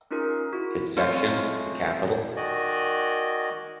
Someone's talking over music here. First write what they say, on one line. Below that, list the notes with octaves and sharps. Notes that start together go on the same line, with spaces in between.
Concepcion, the capital.
C#4 D#4 F4 G#4 A#4
E4 F#4
F#2 G#3 A3 C4 F4 C#5
D#3 F#4 D5 D#5 G#5